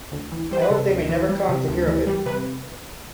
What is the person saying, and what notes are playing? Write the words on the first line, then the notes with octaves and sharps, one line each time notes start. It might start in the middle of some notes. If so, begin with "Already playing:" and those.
I hope they may never come to hear of it.
D2
E3
G3 C5
B4
C3 A4
D2
E3
G3
C3
D2
E3
G3
C3 B4